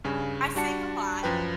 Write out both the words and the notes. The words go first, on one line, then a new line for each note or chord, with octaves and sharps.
I sing a lot,
G2 C#3 G#5
G3 D4 F#4 A5 C#7
F#2 F3 B4 G5